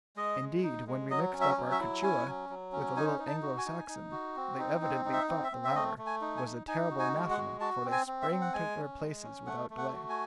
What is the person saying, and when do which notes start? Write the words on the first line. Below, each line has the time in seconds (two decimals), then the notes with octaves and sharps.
Indeed, when we mixed up our Quichua with a little Anglo-Saxon, they evidently thought the latter was a terrible anathema, for they sprang to their places without delay.
0.16 G#3 D#5
0.41 G#3
0.63 D#4
0.87 G#3
1.10 F#3 D#5
1.33 C#4
1.41 E5
1.57 F#3
1.71 E5
1.79 E4
2.03 C#4 G#5
2.26 F#3
2.49 F#3
2.72 C#4
2.96 D#4 G#5
3.19 D#4
3.27 A5
3.42 F#4
3.58 G#5
3.66 D#4
3.88 D#4
4.12 F#4
4.36 C4
4.59 D#4
4.82 C4
5.05 D#4
5.13 E5
5.29 C4
5.44 E5
5.52 C4
5.64 E5
5.75 A3 D#5
5.98 A3
6.06 G#5
6.21 D#4
6.37 G#5
6.45 D#4
6.67 D#4 G#5
6.91 F#4
6.99 G#5
7.14 G#3
7.30 F#5
7.38 F#4
7.60 F#4 A5
7.85 C4
7.92 G#5
8.07 C4
8.22 E5
8.31 C4
8.41 F#5
8.54 G#3 G#5
8.76 C#4
9.00 G#3
9.23 C#4
9.47 A3 F#5
9.70 A3
9.78 F#5
9.93 F#4
10.09 G#5